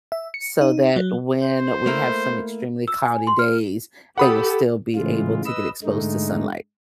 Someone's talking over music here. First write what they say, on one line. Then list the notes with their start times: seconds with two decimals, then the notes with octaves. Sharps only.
so that when we have some extremely cloudy days, they will still be able to get exposed to sunlight.
0.12 E5
0.34 C#7
0.61 D#4
0.96 F#3
1.43 C5
1.86 A3 A#3 E4
2.88 E6
3.03 G#5
3.27 C6
3.39 F6
4.18 G4 A4 F#5 B5 D#6
4.96 A2 C#3 E3 G#3 F4
5.46 B4 D#5 E6
5.84 G#2 D3 G#3 A3 D#4